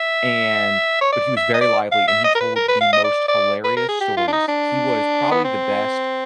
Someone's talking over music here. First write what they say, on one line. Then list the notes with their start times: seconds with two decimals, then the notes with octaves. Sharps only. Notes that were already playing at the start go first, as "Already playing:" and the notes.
and but he was very lively, and he told the most hilarious stories. He was probably the best
Already playing: E5
1.01 C#5
1.13 D5
1.37 E5
1.54 D#5
1.61 D5
1.92 F5
2.08 E5
2.24 D#5
2.35 A#4
2.41 B4
2.56 A#4
2.68 B4
2.81 F5
2.93 D#5
3.04 D5
3.28 D5
3.64 B4
3.77 A#4
3.89 G#4
4.01 G4
4.17 F4
4.28 D4
4.33 D#4
4.48 D4
5.31 B3
5.45 C4